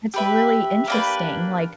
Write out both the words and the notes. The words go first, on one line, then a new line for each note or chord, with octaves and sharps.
It's really interesting, like,
G4 B4 E5
A#3 D4 G4 B4